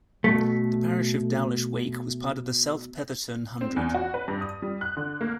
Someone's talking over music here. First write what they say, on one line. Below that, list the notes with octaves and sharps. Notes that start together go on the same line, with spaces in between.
The parish of Dowlish Wake was part of the South Petherton Hundred.
B2 A3
C4
E2
F#4
B4
G2
D#6
G3
F#6
D3
A#3